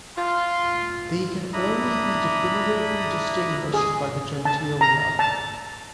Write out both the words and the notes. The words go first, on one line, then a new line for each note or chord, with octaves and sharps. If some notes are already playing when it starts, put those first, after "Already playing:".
They can only be definitively distinguished by the genitalia.
F4 C6
D4 E4 A#5 B5 D#6
G#4
A5
A#5
A5